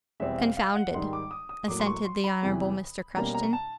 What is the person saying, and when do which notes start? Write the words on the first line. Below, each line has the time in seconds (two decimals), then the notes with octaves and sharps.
'Confounded,' assented the Honourable Mr. Crushton.
0.20 E2 B2 G3 C4 E5
0.38 F5
0.57 F5
0.76 F#5
0.94 G#2 D#3 G3 C6
1.13 D6
1.31 D#6
1.49 D#6
1.68 A2 F#3 A#3 D6
1.80 C6
1.87 C#6
2.05 C6
2.24 B5
2.42 E2 C3 E3
3.16 B2 G3 A#3 C#4 A#5
3.34 A#5
3.53 A5